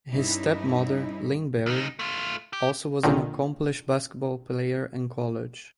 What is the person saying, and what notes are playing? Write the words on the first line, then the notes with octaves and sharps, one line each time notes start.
His stepmother, Lynn Barry, also was an accomplished basketball player in college.
G2 C#4 D#4 E4
D2 D#4
A3 F4
G4
A#1 A#2 D3 D#3